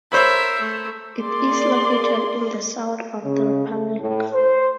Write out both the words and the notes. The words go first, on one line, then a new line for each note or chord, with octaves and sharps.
It is located in the south of the republic.
A#4 C5 C#5 E5 B5
A3
A#3 G#4 D5 C6
C#3
A3
A2
C5